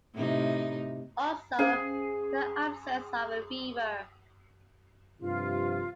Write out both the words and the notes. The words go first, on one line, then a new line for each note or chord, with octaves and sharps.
Also, the absence of a fever.
A2 C3 D#4
C#4 G#4 C5 F5
G2 C3 F3 F4